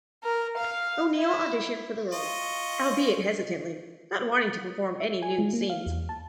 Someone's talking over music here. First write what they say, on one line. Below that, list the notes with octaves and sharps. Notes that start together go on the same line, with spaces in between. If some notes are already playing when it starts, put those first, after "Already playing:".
O'Neill auditioned for the role, albeit hesitantly, not wanting to perform any nude scenes.
A#4
F5
E4
F4 D#5 C#6
E5
G#5
G#3
A#3
F5
E2
A5